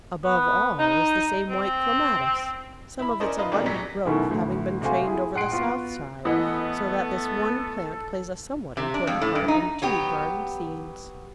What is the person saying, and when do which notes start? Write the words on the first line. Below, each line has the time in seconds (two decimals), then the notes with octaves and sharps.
Above all is the same white Clematis, some of its abundant growth having been trained over the south side, so that this one plant plays a somewhat important part in two garden-scenes.
0.24 B3
0.79 D#4
1.49 C4
2.99 E4 B5
3.20 C#4 A#4 C5 D5 D#5
3.38 D#4 F4 B4 D#5
3.52 F2 A#2 D#3 G3 G#3 D4
3.66 G#1 F#3 B6
4.05 B2 D#3 F#3 A3 C#4 E4
4.30 D2 A2 D3 E3
4.81 C3 A3 F#4 C5 F5 G#5
5.05 E4 G#4
5.35 A#1 F#5 C6 F#6 C7 D7
5.51 B3 F4 F#4
6.25 E3 A3 B3 A4 D#5 F#5
8.77 C3
8.94 D4
9.07 F2
9.21 A2
9.35 G2
9.48 D#4
9.82 F#3 B3 G4